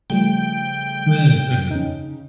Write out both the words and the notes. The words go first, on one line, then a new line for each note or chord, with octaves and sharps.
Mm, mhm.
C#3 F3 G3 A3 G5
C#4 D#4